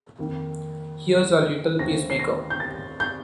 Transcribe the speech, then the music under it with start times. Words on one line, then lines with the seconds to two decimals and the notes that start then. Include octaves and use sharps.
Here's our little peace-maker!
0.19 F2 D#3 A#3
1.79 D#2 D3 A3 C4 A#6
2.10 C7
2.19 A#6
2.50 G6
2.60 A6
3.00 G6